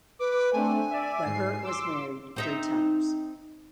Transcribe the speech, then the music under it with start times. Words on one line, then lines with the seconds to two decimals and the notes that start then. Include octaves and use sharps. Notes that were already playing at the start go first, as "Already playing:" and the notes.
Weber was married three times.
0.19 B4 D6
0.53 A3 C4 D4 G#5
0.90 D5 E5
1.24 G#2 C7
1.62 C6 D6 E6
2.36 C4 D#4 E5